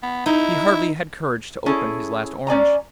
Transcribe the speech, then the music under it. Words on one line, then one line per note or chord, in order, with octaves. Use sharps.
He hardly had courage to open his last orange.
B3
D#4 E4
C#4 E4 G#4 A4
C#4 D5 G#5 A#5